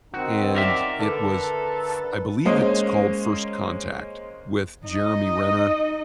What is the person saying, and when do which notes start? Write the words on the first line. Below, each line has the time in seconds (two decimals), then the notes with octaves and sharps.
and it was, f I believe it's called First Contact with Jeremy Renner,
0.14 D#3 C4 D#4 F#4
0.56 A#4 D5 E5
1.00 D3 A4 B4
2.45 G#3 A#3 C#4 C5 D#5
4.86 D#4 D#5